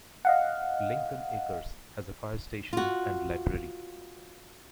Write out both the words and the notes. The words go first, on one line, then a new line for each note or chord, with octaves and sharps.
Lincoln Acres has a fire station and library.
D#5 F5 F#5
F4 F#4